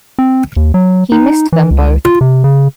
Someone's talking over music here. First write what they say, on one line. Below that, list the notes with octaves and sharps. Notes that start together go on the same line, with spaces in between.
He missed them both.
C4
D#2
F#3
D#4
E3
C#2
F4
C3
C#3